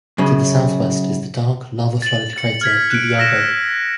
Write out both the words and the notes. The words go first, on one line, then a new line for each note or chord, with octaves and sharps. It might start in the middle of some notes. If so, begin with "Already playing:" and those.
To the southwest is the dark, lava-flooded crater Dubyago.
F#2 C#3
A6 F#7
A6 C#7
F6 G#6 B6
F#6 D7
E6 A#6 C#7 E7